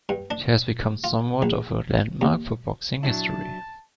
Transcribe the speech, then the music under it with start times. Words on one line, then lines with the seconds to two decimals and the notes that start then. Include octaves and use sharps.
It has become somewhat of a landmark for boxing history.
0.09 G2
0.30 D4
1.04 F4
1.42 A#1
2.21 D#2
3.03 F#3 D4 E4 A5